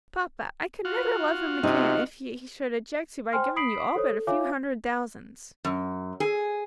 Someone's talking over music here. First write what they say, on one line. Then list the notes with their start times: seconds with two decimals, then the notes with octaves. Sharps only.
"Papa, I could never love him again, if he should object to my giving you all but a few hundred thousands."
0.85 F4 F#4
1.63 C3 D#4
3.33 C5 G5 G#5 C6 F6
3.56 B5 D#6 B6 C7 D7 F#7
3.95 A4 C5 C#5 D#6
4.10 A4
4.27 F4 C#5 E5 F5 G#5 D6
5.65 F#2
6.20 G#4